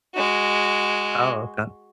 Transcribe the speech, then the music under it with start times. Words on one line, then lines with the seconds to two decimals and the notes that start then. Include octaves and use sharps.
Oh, okay.
0.15 G#3 F#4